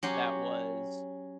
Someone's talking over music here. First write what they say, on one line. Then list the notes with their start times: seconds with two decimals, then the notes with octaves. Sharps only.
that was
0.03 F#3 C#4 G4 C6